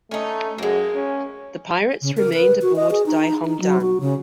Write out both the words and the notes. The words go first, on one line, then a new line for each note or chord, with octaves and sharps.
The pirates remained aboard "Dai Hong Dan".
A3 C#4 D#4
F#2 G#3 A#3
C#4
C#3
A#4
B4
F#4
D#5
G#4
D#4
D#4
F#3
F#4
C#3